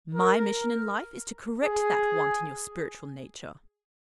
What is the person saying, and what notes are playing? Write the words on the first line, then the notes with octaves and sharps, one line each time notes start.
My mission in life is to correct that want in your spiritual nature.
A#4
G#4